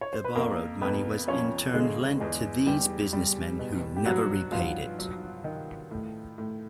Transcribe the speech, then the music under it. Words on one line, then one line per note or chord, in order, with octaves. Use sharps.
The borrowed money was in turn lent to these businessmen, who never repaid it.
C#5
C5
B4
F2 A#3 A#4
F2 B3 B4
F3 C#4 C#5
D3 G#3 G#4
E2 G#3 G#4
E2 G3 G4
G3
B2
G4
G2 F#3 F#4
G2 F3 F4
F#3
D#3
A2
A2